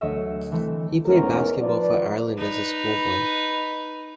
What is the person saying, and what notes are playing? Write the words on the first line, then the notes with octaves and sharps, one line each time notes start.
He played basketball for Ireland as a schoolboy.
D2 F#3 A3 C#5 D#5 E5
E3 A3 C4
E2 G#2 A3 C#4 A#4
F3 B4 D5
D#4 B4